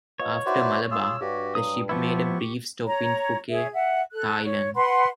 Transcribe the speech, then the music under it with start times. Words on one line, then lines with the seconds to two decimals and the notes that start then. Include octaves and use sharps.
After Malabar, the ship made a brief stop in Phuket, Thailand.
0.20 B3 F4 C#5 D#5
0.46 D#4 E4 F#4 B4 C5 D5
0.91 F4 G#4 E6
1.21 G2 F#4 G4
1.55 F#3 D#6
1.89 F3 B3 E4 G4 C#6
2.84 C#5 A#5
3.49 G#4 C#5 E5
3.73 E5 F#5
4.13 A4 F#6
4.43 C#5
4.75 B4 F#5 B5 C6